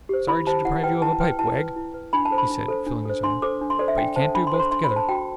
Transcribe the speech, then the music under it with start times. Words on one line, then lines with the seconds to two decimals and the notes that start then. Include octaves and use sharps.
'Sorry to deprive you of a pipe, Wegg,' he said, filling his own, 'but you can't do both together.
0.09 G4 C5
0.28 E4 B5
0.47 G4 C5 A5
0.65 E4 F#5
0.83 B4 G5
1.02 E4 A5
1.20 B4 G5
1.39 E4 A5
1.58 B4
1.76 E4
1.94 B4
2.13 D4 B5
2.25 A5
2.31 A4 C5
2.38 B5
2.50 D4
2.68 A4 C5
2.87 D4
3.05 A4 C5
3.24 D4 C6
3.42 A4 C5 D6
3.61 D4
3.70 C6
3.79 A4 C5 D5
3.88 E5
3.98 D4 G5
4.16 A4 C5 A5
4.35 D4 B5
4.47 C6
4.53 A4 C5
4.60 C6
4.71 D4 C6
4.84 B5
4.90 A4 C5
4.96 A5
5.08 F#4 G5